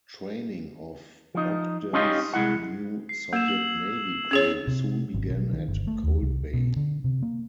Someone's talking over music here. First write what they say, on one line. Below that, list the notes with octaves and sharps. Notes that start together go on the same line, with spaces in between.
Training of "Ogden"s new Soviet Navy crew soon began at Cold Bay.
F3 D#4
C#4 D#4 F4 G4 D#5
C2 G#3 E4 F#5
C7
A#3 E6 G#6 E7
F#7
C#4 G#4 C#5
C3
G#1
B1
D#3
G1
A3
D#2
C2
B2
D3
C3
A#3